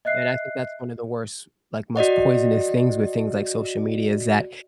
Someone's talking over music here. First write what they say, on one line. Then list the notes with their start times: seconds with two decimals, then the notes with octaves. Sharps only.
And I think that's one of the worst, like, most poisonous things with things like social media is that
0.05 D#5 E5 F#6 C7
1.96 F#4 D5 D#5 F#5